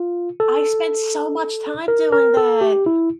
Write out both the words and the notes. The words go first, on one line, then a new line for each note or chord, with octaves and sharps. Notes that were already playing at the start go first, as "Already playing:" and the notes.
I spent so much time doing that,
Already playing: F4
A4
A#4
A#4
A4
G4
E4